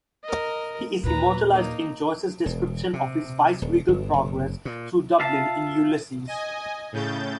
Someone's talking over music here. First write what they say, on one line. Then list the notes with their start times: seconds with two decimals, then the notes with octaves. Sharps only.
He is immortalized in Joyce's description of his Vice-Regal progress through Dublin in "Ulysses".
0.24 A#4 D#5
1.04 D#2 A#2 B4 A#5
1.51 A#3 D#4
2.46 E1
2.93 C3
3.62 D#1
3.88 G1
4.14 F#1
4.65 A#2
5.20 F4 E5 F5 A5
6.27 D#5 G#5
6.92 A2 C#3 G6 A6